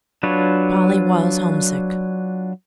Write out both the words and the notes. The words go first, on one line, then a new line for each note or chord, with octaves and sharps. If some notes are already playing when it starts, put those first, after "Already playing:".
Polly was homesick.
F#3 D4 F4 B4 C#5